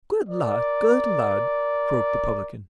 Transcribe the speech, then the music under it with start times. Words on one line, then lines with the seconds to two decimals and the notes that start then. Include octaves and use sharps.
"Good lad! good lad!" croaked the publican.
0.29 A#4 D5